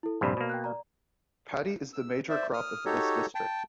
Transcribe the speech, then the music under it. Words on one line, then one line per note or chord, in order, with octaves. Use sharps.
Paddy is the major crop of this district.
E4 A4
A#1 G2 C3 C5 D5 B5
B2 A#3
G5 F6 F#6
D5 A#5
E6
C5 D5 E5
D#6 F6
D#4 F#4 G4 A4 C#5
G5 A5